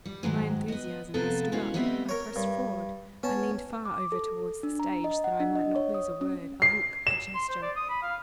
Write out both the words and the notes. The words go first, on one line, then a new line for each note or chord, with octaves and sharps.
In my enthusiasm I stood up, I pressed forward, I leaned far over towards the stage, that I might not lose a word, a look, a gesture.
G3
G#2 D#3 F#3 G#3
B3 D#5
C3 F3 A#3 B3 F4 A4
G#3 C#4 E4 F#4 C#5 F5
G3 A3 B3 C4 D#5 E5
A#4 C#5
G2
B3 C#4 A5
D6
A4
D4
A#5
D#5
F#5
D4
D#5
C#5
D#6
C#4
C7
E7
C6
C5
D5
D#6
B5
F5